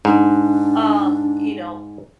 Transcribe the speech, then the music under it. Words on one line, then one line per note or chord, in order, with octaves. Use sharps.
um, you know,
G#2 D4